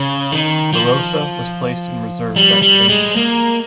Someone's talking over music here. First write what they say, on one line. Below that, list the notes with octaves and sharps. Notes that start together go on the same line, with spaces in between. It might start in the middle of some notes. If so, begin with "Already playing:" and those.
"Barrosa" was placed in Reserve that same year.
Already playing: C#3
D#3
F3
G3
G3
G#3
A#3